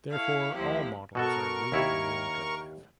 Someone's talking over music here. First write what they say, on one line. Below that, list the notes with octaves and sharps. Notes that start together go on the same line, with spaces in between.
Therefore, all models are rear-wheel drive.
E4 A4 C#5 F5
D2 C3 F3 E4 G4
B2 F#4 A4 A#4 C#6
D#2 E4 C#5